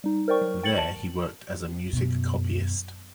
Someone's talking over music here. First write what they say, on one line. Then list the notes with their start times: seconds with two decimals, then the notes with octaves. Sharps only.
There he worked hard as a music copyist.
0.04 G3 D#4
0.28 A#4 C5 D5 G5 C#6
0.41 F#3
0.63 G5 A6 C#7 F#7
0.78 A5
1.93 F#2 B2